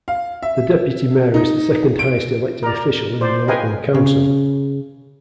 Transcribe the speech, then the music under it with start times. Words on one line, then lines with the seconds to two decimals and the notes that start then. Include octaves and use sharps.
The deputy mayor is the second highest elected official in the Auckland Council.
0.08 F5
0.43 E5
1.34 D#4
1.99 D7
2.63 A#4 D5
3.21 C5 D5
3.48 B4 D#5 F5 G5 G#5
3.94 C#3